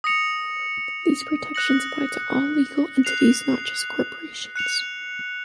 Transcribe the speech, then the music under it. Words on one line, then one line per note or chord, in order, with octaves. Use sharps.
These protections apply to all legal entities, not just corporations.
D#6 A#6 C#7 F7
F#6 A#6 C#7 F#7
F#6 C7 F7
F#6 C#7 F7